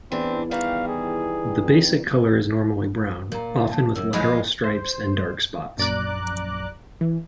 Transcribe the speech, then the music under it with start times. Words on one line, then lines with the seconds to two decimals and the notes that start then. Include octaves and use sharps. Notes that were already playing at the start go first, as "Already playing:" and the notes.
The basic colour is normally brown, often with lateral stripes and dark spots.
0.12 E2 E3 C4 D4
0.51 D#3 E3 G3 F5
0.88 G#4
1.64 F2
3.32 A#2 A#4 A#5
3.72 A5
3.95 F#2 E6
4.13 F3 G#3 F4 B5 C6 A#6
4.64 C5
5.78 A#1 F#2 D5 A#5 D6 F#6
7.01 E3